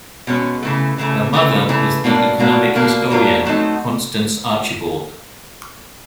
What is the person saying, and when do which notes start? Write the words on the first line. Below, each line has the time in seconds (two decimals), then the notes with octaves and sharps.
Her mother was the economic historian Constance Archibald.
0.27 B2 G#3 C#4
0.63 C#3 E3 A3
0.98 C#3 E3 A3
1.33 C#3 E3 A3
1.69 C#3 E3 A3
2.04 B2 F#3 A#3 D4
2.40 B2 F#3 A#3 D4
2.75 B2 F#3 A#3 D4
3.10 B2 F#3 A#3 D4
3.46 F#3 A3 C4 D#4